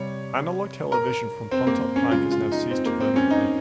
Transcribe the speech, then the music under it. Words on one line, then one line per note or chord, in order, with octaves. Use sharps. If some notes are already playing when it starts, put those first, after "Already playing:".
Analogue television from Pontop Pike has now ceased permanently.
Already playing: C3 G3 C#5
A#4
C4
A#3
C#4
C#3 G#3 F4
F4
D#4
C4
A#3
C4
C#4
D#4